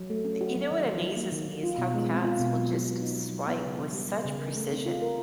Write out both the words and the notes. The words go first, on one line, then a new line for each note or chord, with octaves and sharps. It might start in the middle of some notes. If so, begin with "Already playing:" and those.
Y you know what amazes me is how cats will just swipe with such precision.
Already playing: F#3
A3
C#4
F#4
F#3
D#3
D#3
F#3
A#3
D#3
D#3
F4
B2
G#3
C4
F4
B2
F#3
F#3
B3
D#4
F#3
F#3
B3
C#3
E3
G3
B3
C#3
A#4
A3
C4
F4
A#4